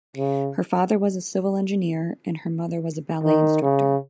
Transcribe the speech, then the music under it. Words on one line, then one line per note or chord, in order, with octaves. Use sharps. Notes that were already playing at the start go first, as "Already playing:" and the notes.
Her father was a civil engineer and her mother was a ballet instructor.
C#3
D#3
C#3